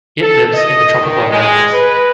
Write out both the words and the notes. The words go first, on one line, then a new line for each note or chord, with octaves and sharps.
It lives in the tropical Americas.
A4
D#5
D#3
G#3
B4